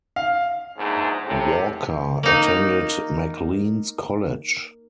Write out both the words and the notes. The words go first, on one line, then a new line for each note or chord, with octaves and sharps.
Walker attended Macleans College.
F5
A#1 E2 G#2
A2 C3
A#3 D#4